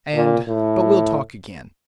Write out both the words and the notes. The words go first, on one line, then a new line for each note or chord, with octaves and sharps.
And--but we'll talk again.
A#2
A2